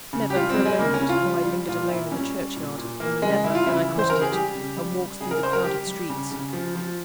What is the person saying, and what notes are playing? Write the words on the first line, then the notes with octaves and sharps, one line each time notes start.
Never for a moment, while I lingered alone in the churchyard; never, when I quitted it, and walked through the crowded streets.
C#3
G4
G3 F4
C4
G3
G#3
C#3 A#3
C#4
C#3
F4
G3
G3
A#2 F4
A#2 E4
G3 C#4
G3
A#2
A#2
E3 A#3
C#3 G#3
G3 E4
F4
C#3 E4
E3
C5
C#3 A#4
G#4
G3 G4
C#3
G3
G3
C#3 G#4
A#4
C#3 C5
A#4
G3 G4
G3
C#3
C#3
F3
F3